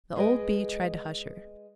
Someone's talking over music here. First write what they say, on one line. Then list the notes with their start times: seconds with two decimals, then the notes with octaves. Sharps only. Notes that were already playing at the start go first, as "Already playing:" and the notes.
The old Bee tried to hush her.
0.16 G#3 G#4 B4 D#5 G5 G#5